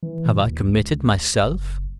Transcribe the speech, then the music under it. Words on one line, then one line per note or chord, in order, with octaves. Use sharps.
Have I committed myself?
E3
A#2
D#2
C#2
F#1